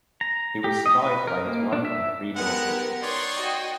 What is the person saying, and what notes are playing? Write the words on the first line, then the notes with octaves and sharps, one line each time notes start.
He was survived by his wife and three daughters.
A#5
G4
D#5
B4
A#4
A#3
D4
E5
G#3 B3 G4 A#4 F#5
D#4 C#5 D5 C6
F#4 D#5 G5